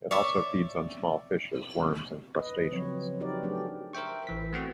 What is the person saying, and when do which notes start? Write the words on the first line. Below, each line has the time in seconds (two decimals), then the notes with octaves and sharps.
It also feeds on small fishes, worms, and crustaceans.
0.11 C#5 D5 E5
2.37 B4 D#5
2.71 C#3 F3 F#3 C4 B4 C#5
3.20 D#4 F#4 G4 A#4 B4 D5
3.43 F#3 A3 D4 G4 G#4
3.93 A#4 C5 E5 G5 C#6
4.27 A1 E3 B6
4.53 A3 B3 C4 F#4